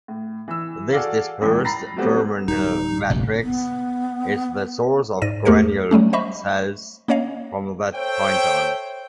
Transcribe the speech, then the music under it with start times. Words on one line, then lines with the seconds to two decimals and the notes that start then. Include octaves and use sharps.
This dispersed germinal matrix is the source of granule cells from that point on.
0.08 A2
0.48 E3 E6
0.93 F#4 G#4 A4 D5 F5
1.41 D#1 C#2 G#2 E3
1.65 A#5 B5 A6 A#6 C7
1.96 F#3 G3 A3 B3 C4 G4
2.48 D1 G3 D#4
3.10 F1 A#1 F#2
3.43 B3
5.22 G#2 D5 A#6 D#7
5.45 E2 A3 G4 A#4 C5 C#7
5.91 F#3 G3 A3 C#4
6.13 C5 D#5 E5 B5 C#6
7.08 A#3 C#4 C#5 D#5 F5
7.95 A4 C5 C#5 E5 G5